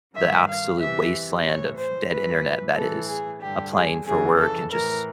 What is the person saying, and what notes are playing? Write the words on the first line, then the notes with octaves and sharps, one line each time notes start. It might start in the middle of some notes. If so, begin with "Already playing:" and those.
the absolute wasteland of dead Internet that is applying for work and just
G2 D#3 E5
F5
E2 C3 E3 E5
A2 E3 C#5
C5
G2 E3 B4
A2 E3 A4
G#4
G2 D3 G4
G#4
F2 C#3 E3 G#4
A4
A2 E3 A#4